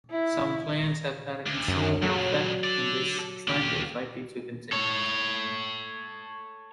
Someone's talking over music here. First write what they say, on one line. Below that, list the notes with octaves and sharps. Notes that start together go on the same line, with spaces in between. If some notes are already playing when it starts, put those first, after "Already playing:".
Some plans have had a considerable effect, and this trend is likely to continue.
E4
D2
F#2
A#2 C#3 F#3
A4 D5
A#3 G4
A4 C#5